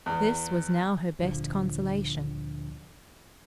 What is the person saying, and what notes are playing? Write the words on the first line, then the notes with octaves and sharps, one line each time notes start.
This was now her best consolation.
E2
D2 A#2 D3 F3